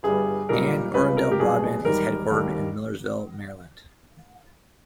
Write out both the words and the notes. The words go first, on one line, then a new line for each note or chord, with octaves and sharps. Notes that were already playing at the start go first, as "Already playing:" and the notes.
Anne Arundel Broadband is headquartered in Millersville, Maryland.
G1 G2 G3 G#4
B1 A#2 G3 A#4
C#2 C#3 G3 B4
A#4
G4
B1 B2 G3 G#4
E1 D#2 D#3 G3 A#4
D#2 D#3 G3